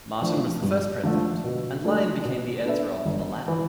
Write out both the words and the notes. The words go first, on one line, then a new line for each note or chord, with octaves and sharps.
Martin was the first president and Lyon became the editor of "The Ladder".
F3 A3 D4
G2
D3 F3 A3
B2
A3 D4 A4
B2
B3 D4 A4 E5
G1
E3